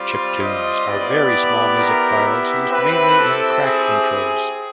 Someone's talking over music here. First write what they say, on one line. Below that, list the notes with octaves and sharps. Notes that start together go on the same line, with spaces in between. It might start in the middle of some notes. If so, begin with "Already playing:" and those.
Chiptunes are very small music files used mainly in crack intros.
Already playing: G3 C4 F4
D#5
B3 E4 G4 D5
A#4
E5
C4 E4 G4 B4
A4
G#4
G#4